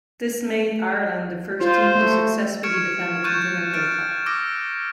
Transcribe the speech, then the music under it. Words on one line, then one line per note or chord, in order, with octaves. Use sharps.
This made Ireland the first team to successfully defend the Continental Cup.
F4 C5
A3
C#6 F6 G#6 C#7 D7 E7
C#6 F#6 G6 A6 D#7 E7
F6 A6 D7
D6 E6 A#6 D7